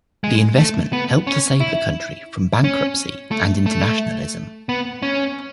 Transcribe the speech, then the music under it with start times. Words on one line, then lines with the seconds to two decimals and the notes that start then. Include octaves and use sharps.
The investment helped to save the country from bankruptcy and internationalism.
0.24 G#3
0.58 A3
0.93 B3
1.27 C#4
1.60 E4
2.64 C#4
3.31 A3
3.66 A3
4.69 B3
5.02 C#4